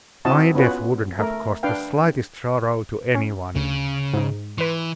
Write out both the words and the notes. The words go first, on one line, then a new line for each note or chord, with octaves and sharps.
My death wouldn't have caused the slightest sorrow to any one.
C4 E4 F#4 D#5 A5
B3 C#4 F4 F#4 B4
A3 A#4
D4 B4 F5 G5
C#4
D2 C#3
G#2 D#4
E3 B4 C6